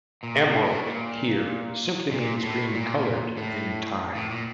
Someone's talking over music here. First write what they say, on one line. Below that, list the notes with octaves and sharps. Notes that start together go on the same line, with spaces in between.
"Emerald" here simply means "green coloured" in Thai.
A#2
A2
A2
A#2
A#2
A2
A#2
A2
A2
A#2